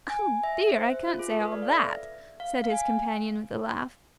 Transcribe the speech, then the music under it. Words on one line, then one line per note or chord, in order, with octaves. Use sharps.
"Oh, dear, I can't say all that!" said his companion with a laugh.
G#5
E5
C5
F4
G#4
A4
B4
D5
F5
E5
F5
F5
G#5